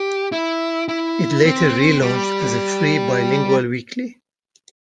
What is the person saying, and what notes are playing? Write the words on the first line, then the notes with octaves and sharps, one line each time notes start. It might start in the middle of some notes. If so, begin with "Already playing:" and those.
It later relaunched as a free bilingual weekly.
Already playing: G4
E4
E4
C4
G3